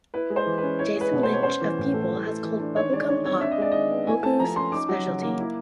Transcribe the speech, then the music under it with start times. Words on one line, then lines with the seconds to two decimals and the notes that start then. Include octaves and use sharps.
Jason Lynch of "People" has called bubblegum pop Hoku's speciality.
0.14 E4 B4
0.30 G#3
0.36 C5
0.46 E3
0.58 B4
0.63 C#4
0.79 E4 C#5
0.96 G#3
1.01 B4
1.12 B2
1.23 C5
1.29 B3 C#5
1.43 C#4 C5
1.61 E3
1.78 A2
1.94 A3
2.11 E3
2.27 A3
2.43 E3
2.60 D4
2.75 D#3 C#5
2.92 G#3 D5
3.09 D#3 C#5
3.25 C4 C#5
3.41 D4 E5
3.51 D#5
3.58 G#3 D5
3.71 D#3 D#5
3.91 B3
4.07 E4 G#5
4.23 A3 A5
4.39 F3 A#5
4.56 C#4 C6
4.72 D#4 D6
4.89 F#3
5.05 C#3
5.22 A#3
5.39 E4